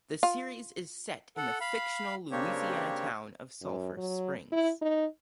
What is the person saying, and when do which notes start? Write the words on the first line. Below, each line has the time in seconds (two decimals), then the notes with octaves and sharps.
The series is set in the fictional Louisiana town of Sulphur Springs.
0.23 F4
1.37 A4 F#5
1.61 F5 B5
2.31 C#3 A#3 C4 D4 G4 C#5
3.62 F#2
3.97 F#3
4.52 E4
4.82 D#4